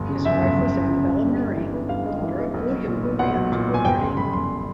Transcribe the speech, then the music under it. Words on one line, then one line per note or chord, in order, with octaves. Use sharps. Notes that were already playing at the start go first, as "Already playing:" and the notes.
His wife was Annabella Murray, daughter of William Murray of Tullibardine.
Already playing: G1
C#3
F#2 E5
G1
G1
C#3
F#2
G1
G2
G#3
E3
B3
G2 F5
G#3
E3
B3
B1
F#3
A#2
B3
B1 F#5
F#3
A#2
B3
G#5
G1 G5
C#3 C6
F#2 B5
G1 C6